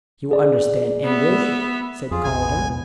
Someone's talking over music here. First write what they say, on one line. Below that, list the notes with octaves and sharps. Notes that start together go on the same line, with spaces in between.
"You understand English?" said Calder.
G#4 D5
B3 E5
F2 F4 G#4
A1 E2 B2 G#5
B3
E2 B2